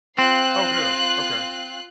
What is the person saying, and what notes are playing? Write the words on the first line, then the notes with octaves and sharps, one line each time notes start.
Oh, good, okay.
C4 F4 F#6 C7